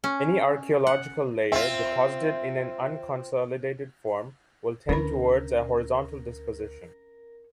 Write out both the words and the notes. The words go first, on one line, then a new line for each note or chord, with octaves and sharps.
Any archaeological layer deposited in an unconsolidated form will tend towards a horizontal disposition.
C#4
F#5
C4 F4 E5
D2 D3 C#4 D4 E4 A#4 B5